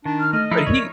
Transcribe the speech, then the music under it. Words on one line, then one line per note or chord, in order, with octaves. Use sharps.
But he
D#3 D4
F6
A3 D#5 F6
F3 D#4 E4 A4
A#4 C#5 D5